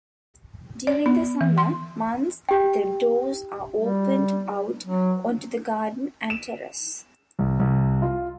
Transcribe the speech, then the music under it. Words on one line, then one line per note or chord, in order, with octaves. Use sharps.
During the summer months the doors are opened out onto the garden and terrace.
D5
B3
E3
C6
G4 G5
G3
F#3
E7
C2
C2
F4